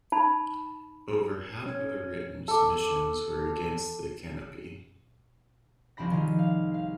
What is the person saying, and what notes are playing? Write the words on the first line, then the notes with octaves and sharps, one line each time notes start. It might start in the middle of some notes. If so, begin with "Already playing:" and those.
Over half of the written submissions were against the canopy.
D#4 A5 B5
C#4
A4 D6
C2 F3 C4 B5 A#6
D#3 G3 F4 G#4
F5
F5